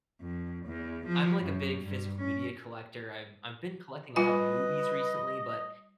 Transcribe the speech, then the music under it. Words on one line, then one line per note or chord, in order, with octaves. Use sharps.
I'm like a big physical media collector. I've I've been collecting a lot of movies recently, but
F2
E2
F3
F#2
G2
C#4
G3 F4 B4 D#5 G#5